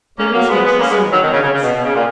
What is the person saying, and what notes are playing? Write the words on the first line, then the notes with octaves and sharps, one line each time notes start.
Bertie's face sobered at once.
A#3 C#4
F#3 A#3
G#3 B3
G#3 B3
A#3 C#4
G#3 B3
D#3 F#3
B2 D#3
C#3
C#3
C#3
B2
B2
C#3
A#2